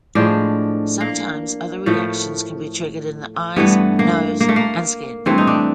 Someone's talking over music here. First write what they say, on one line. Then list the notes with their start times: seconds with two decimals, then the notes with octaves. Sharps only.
Sometimes other reactions can be triggered in the eyes, nose, and skin.
0.15 A2 F3 G#3 D4
1.01 A#3
1.86 A2 F3 A3
3.56 G2 E3 A3 B3
3.99 A#3
4.40 A#3
4.49 A3
4.56 A#3
5.26 G2 E3 A3 C4
5.38 D#4
5.47 D4